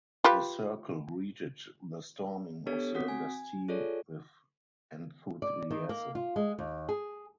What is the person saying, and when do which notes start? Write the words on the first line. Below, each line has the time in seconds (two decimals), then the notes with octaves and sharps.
His circle greeted the Storming of the Bastille with enthusiasm.
0.24 F4 G4 B4
2.67 B3 D4 G4 A4 C#5
2.94 C4 F#4 F#5 D#6 B6
3.08 G#5
3.68 F4 G#4 A4 C#5 D5
5.42 D5
5.70 D#3
5.89 A#3
6.15 F4
6.36 G#3
6.59 D#2
6.89 G#4